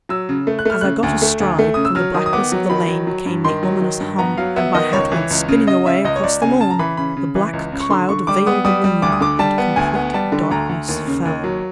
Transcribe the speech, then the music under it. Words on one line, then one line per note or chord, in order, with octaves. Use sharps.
As I got astride, from the blackness of the lane came the ominous hum, and my hat went spinning away across the lawn!--the black cloud veiled the moon and complete darkness fell.
F#3 E6
C#3
A3
F#6
A3 F6
C#3 F#6
D2
A3
D2
A3
C#3 D#6
E6
F#3 F6
D#3 D#6
D#6
B3 D6
F#3
D#3 B5
F#3
F#3
G2
D#3 C6
F#3
D#3
G2
B3 A#5
F#3 F5
B3 E5
D#3 D#5
C#2 C#5
E3
C#2
C#3
C#3 D#5
C#3 E5
C#2 D#5
C#5
C#2 D5
C#3 G#5
C#3 A5
A#5
E3 B5
C#3 B5
C#3
E3
C#2
C#3
C#6
D3 C6
D3 C#6
G3 D6
B3 D#6
G3 D#6
G3
D2 D6
D#6
D3 D6
G3 A5
B3
D2 G#5
B3
G3 A5
D3
D2 A#5
D2
D#2
C#3
D#2
F#3